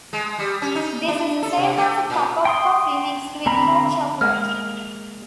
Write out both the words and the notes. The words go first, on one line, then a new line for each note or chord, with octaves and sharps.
This is the same as a cup of coffee mixed with hot chocolate.
G#3
G3
C#4
D#4
D4
A4
C3
A3
A#2
G5 C6 D#6
D3 C4 A#5 B5
G#3 A#3 F6